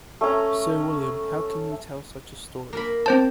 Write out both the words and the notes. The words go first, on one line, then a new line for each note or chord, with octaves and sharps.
Sir William, how can you tell such a story?
A3 C#4 G#5 A#5
A#3 A#4 B5
C4 C5 A5